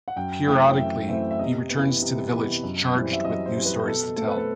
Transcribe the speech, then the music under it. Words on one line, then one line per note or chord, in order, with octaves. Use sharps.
Periodically, he returns to the village charged with new stories to tell.
F#5
F#2 G5
E3 A3 C4 G5
F#2 E5
E3 A3 C4 E5
E5
C3 D#5
B3
E3
C3
E3 B3
F#2
E3 G3 C4
E5
F#2 D#5
C5
E3 G3 C4
B4
B2 A4
A3 C4 A4
B4
A4